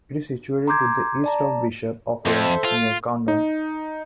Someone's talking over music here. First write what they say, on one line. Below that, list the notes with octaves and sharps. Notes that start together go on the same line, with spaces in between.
It is situated to the east of Bishop Auckland, near Coundon.
A#5 C6 D6 G6 G#6
D5 A5 A#5
F2 A4 C5 E5
F4
D#4